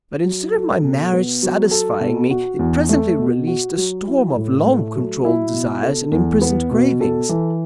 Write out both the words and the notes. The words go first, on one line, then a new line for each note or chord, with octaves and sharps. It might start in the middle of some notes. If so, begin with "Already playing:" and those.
But instead of my marriage satisfying me, it presently released a storm of long-controlled desires and imprisoned cravings.
F#3
A4
B2
B3
F#3
A4
B2
F#4
E2
A3
B2
F#4
F#3
E4
A2
A3
F#3
E4
B2
A4
E2
B3
B2
A4
E3